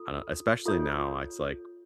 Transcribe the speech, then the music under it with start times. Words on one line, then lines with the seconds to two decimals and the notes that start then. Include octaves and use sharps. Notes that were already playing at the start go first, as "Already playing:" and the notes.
I don't Especially now, it's like,
Already playing: F4 A4
0.66 F4 A4 C#5